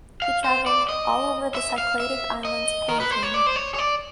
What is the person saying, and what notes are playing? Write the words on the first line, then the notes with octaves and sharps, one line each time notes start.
He traveled all over the Cycladic islands painting.
F5
C5
D5
D#5
E5
F5
E5
D#5
A#4
B4
C5
C#5
D5
C5
C#5
C#5
D5